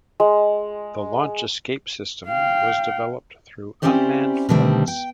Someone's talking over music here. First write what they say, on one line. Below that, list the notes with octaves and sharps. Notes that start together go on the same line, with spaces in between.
The launch escape system was developed through unmanned flights.
G#3
F5 G5
C4 C#4 E4 G4 C5 D5
B2 D3 D#3 G3 A3 C4
G5